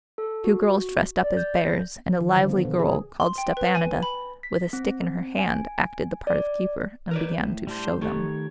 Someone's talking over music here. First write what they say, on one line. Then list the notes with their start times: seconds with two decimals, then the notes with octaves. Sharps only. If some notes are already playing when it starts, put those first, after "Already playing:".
Two girls dressed up as bears, and a lively girl, called Stepanida, with a stick in her hand, acted the part of keeper, and began to "show them."
0.18 A4
0.44 F#4
1.24 D5
1.37 G6
1.65 A#6
2.06 F3
2.21 D#3
2.36 D3
2.49 B3
2.65 B2
2.79 G#4
3.20 C6
3.38 G5
3.57 B4
3.75 G#5
4.03 B5
4.43 B6
4.73 C4
5.39 G#5
6.27 D5
7.11 A#4 B4 D5
7.43 A2
7.67 G3 D4 C5
8.01 D#3 A3 G4 A4 C#5